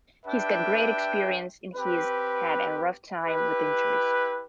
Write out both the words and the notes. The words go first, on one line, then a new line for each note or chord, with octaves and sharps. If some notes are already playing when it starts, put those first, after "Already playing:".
He's got great experience and he's had a rough time with injuries.
D4 G4 B4 E5 G5
C4 G4 B4
E4 G4 B4